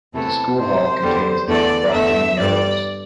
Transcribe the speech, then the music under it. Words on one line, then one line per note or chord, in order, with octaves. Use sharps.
The School hall contains the 'Brockley murals'.
E2 C3 E3 A3 A4
C3 A3 C5
E2 D3 G3
E2 D3 A3 D5
E2 D3 A3 E5
G2 D3 G3 D5